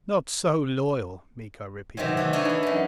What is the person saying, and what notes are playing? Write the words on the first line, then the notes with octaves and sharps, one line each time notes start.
"Not so loyal," Miko repeated.
C3 D#3 E3 F#3
E3 A3 A4
D4 D#4 A#4 B4 C#5 D#5
E3 B5
F#2 D#4